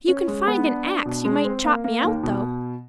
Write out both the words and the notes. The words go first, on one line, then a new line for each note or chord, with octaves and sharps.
If you can find an axe you might chop me out, though.
C#4
G#3
B3
D4
D4
B2
G#3
C4
A#3
A#3
D#2
B2